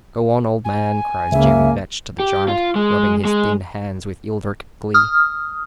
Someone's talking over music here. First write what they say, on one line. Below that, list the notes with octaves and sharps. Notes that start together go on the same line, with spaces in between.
"Go on, old man!" cries Jemmy Vetch to the giant, rubbing his thin hands with eldritch glee.
G#5
C#2 C#3 A#3 E5
G4
F4
G#3
G#3
D#6 F6